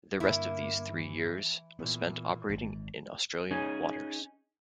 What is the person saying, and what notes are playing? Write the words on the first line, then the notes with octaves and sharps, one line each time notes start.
The rest of these three years was spent operating in Australian waters.
G2 D3 A#3 E4
E3
A#2 E3 B3
G#1 G#2
C#4 D#4 G#4